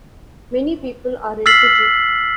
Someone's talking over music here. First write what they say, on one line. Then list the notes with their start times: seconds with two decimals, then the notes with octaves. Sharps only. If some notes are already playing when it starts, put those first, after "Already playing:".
Many people are in Fiji.
1.46 E6 F6 A6 B6 C7 F#7